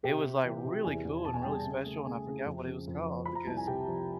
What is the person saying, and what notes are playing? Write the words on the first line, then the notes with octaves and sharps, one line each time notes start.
it was, like, really cool and really special, and I forgot what it was called, because
C3 G4 G5
C3
E3
C3
E2 G#4 G#5
E2
B2 A5
G#5
G5
G3 G#4 G#5
C#3
A3
C#3
C#3
F2
C#3
F2
F3
F3 B5
A#5
C2 A5
G#5
C3 G4 G5
F3